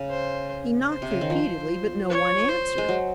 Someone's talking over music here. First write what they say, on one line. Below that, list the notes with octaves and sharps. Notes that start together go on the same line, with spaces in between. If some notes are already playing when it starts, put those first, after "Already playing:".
He knocked repeatedly but no one answered.
Already playing: C#3
C5
C5
C3
C#3
D#3
F3
C#5
C5
G#3
F#3